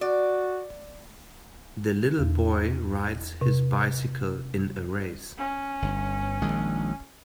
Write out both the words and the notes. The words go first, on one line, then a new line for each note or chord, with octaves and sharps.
The little boy rides his bicycle in a race.
F#4 D5
E2
C3
C#4
G1
A#1 D#3 G#3